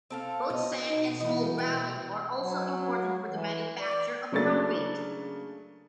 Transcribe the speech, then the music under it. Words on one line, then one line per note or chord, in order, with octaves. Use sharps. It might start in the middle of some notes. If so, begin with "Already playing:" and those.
Both sand and small gravel are also important for the manufacture of concrete.
C4 A4 F5
B2 D#5
D#4
E3 B3 D#4
G5
F#3
E3
D5
C#3 F#3 A3 A#3 D4 A6